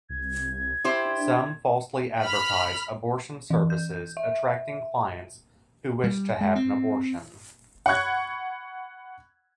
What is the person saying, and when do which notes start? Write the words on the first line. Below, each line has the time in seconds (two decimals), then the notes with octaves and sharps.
Some falsely advertise abortion services, attracting clients who wish to have an abortion.
0.10 C2 G#6
0.84 E4 G4 C5
1.05 D4
2.23 B5 F6
3.50 E3
3.70 G6
4.17 E5
6.04 G3
6.41 G#3
6.56 C4
7.86 F#5 B5 C#6 F#6 G#6